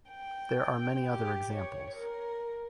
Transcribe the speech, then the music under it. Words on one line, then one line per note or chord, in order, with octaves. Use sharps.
There are many other examples.
G5
G4
C#5
A#4